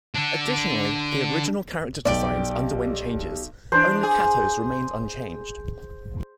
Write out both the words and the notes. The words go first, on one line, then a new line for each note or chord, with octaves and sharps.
Additionally, the original character designs underwent changes, only Kato's remained unchanged.
D3 D4
B1 G4 D5 D7
E3 D4 C5
G#4